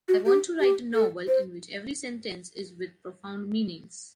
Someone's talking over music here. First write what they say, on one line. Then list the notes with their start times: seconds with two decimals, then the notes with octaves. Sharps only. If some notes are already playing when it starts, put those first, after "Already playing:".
I want to write a novel in which every sentence is with profound meanings.
0.08 F#4
0.26 G4
0.60 G4
0.94 A4
1.28 C5